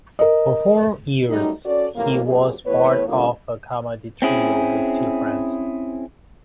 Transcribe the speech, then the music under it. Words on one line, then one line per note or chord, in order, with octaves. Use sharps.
For four years he was part of a comedy trio with two friends.
A#4 D#5
F#2 G3 A3 D#4
C#4 F#4 A4 D5
A2 C3 E3 F3 A#3
F#2 A#2 G4 G#4
E2 A2 B3 B4 C#5
D3 G3 A3 A#3 C#4 F4
C4 C#4 E4 G#4